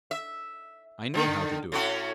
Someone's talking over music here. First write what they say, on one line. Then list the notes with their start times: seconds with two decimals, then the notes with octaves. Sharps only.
I know how to do it.
0.11 E5
1.14 B2 D3 D#3
1.72 A2 C#4 F#4